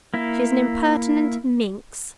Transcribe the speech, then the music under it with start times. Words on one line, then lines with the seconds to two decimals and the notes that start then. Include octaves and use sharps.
"She is an impertinent--minx!"
0.14 A#3 E4